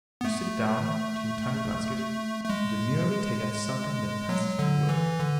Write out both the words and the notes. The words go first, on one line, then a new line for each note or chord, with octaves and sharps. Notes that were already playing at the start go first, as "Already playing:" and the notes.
You sit down to your tiny basket, and demurely take out something that passes for work.
B3
A3
A3
G#3
F#3
D3
E3
D3